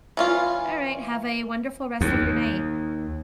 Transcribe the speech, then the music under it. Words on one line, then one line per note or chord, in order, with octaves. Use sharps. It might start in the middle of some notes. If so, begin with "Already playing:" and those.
All right, have a wonderful rest of your night.
E3 C#4 F4
D#2